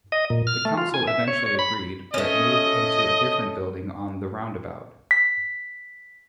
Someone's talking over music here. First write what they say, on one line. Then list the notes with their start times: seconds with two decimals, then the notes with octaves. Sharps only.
The Council eventually agreed but moved into a different building on the roundabout.
0.12 D#5
0.30 A#2
0.47 F6
0.65 A3
0.78 F4
0.94 G#5
1.07 E5
1.28 C#5
1.46 C#5
1.59 B5
2.14 A3 C#4 D#5
5.11 B6